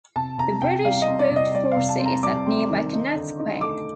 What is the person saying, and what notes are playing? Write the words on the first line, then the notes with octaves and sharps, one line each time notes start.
The British grouped forces at nearby Kennett Square.
C3 A5
C3 A#5
C3 G5
G3 F5
D#5
C4
D5
C3 D#5
G3 D5
F5
C3
A5
C4
A#5
G3 D6
C4
D#3
D#4
D3
D#4
A3 D6